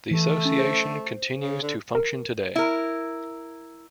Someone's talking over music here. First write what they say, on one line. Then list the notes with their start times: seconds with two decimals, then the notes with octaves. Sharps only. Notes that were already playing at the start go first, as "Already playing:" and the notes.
The Association continues to function today.
0.11 E3 A3
0.45 C#4
0.59 C5
1.38 C#3
1.62 D3
1.95 A#4
2.56 E4 A#4